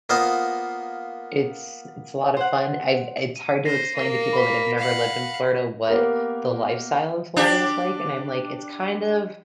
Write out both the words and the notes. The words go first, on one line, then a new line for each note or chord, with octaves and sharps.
It's it's a lot of fun. I've it's hard to explain to people that have never lived in Florida what the lifestyle in Florida is like, and I'm like, "It's kind of"
A#3 B3 F4 C5 D#5
C5 F#5
D#7
C5 A#6 C7
A#3
B5 B6
F5 F#5
A#3 B3 G4 A#4
D4 G4